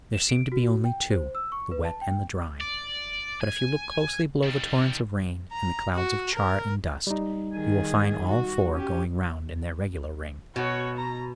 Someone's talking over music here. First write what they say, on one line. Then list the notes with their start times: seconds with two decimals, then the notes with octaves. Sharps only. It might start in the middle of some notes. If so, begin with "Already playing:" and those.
There seem to be only two--the wet and the dry; but if you look closely below the torrents of rain and the clouds of char and dust you will find all four going round in their regular ring.
0.14 E7
0.29 D7
0.52 F#4
0.84 G5
1.11 C5
1.35 E6
1.52 C#6
1.71 B4
1.85 A5
2.01 G5
2.61 D5
3.41 G#5
4.43 D#3 G3
5.52 A#5
5.94 F#4
6.36 A#4
7.07 G3 D#4
7.55 D#3 G#4
8.29 F#4
8.74 C#4 G4
10.56 B2 F#4 C#5
10.96 A#5